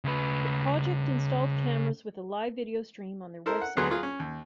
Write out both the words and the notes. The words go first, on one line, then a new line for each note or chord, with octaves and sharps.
The project installed cameras with a live video stream on their website.
C#3 B4
E4 A4 A#4 C5
F#5
D2 F#3 B3 F#4 G#4 C6
F#3 F4 G#4
C#4
D#2